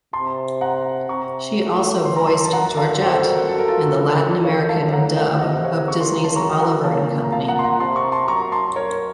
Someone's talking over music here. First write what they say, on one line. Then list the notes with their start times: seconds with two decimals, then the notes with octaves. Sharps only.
She also voiced Georgette in the Latin American dub of Disney's Oliver and Company.
0.13 C3 A5 C6
0.61 F#5 A#5
1.09 C3 A#5 C#6
1.58 A2
2.05 F#2 C6
2.16 A#5
2.27 A5 C6
2.45 A5
2.53 F#5 A#5
2.77 F5 A5
3.01 F2 A4 C5
3.25 F#4 A#4
3.48 F#2 A4
3.58 A#4
3.68 F4 A4
3.97 F#2
4.45 C#5 F5
4.69 F5 A5
4.92 A2 F#5 A#5
5.16 F5 A5
5.40 C3 D#5 F#5
5.53 F#5
5.65 C#5 F5
5.88 C#3 C#6
6.00 C6
6.12 A#5
6.24 A5 C6
6.36 F#2 A#5 C#6
6.60 F#5 A#5
6.84 A#2 F5 A5
7.24 A#5
7.32 F5 A5
7.48 F#5 A#5
7.59 C6
7.64 F#5 A#5
7.80 C3 A5 C6
7.96 A#5 C#6
8.12 A5 C6
8.28 F#2 A#5 C#6
8.52 A5 C6
8.76 F#2 A#4 C#5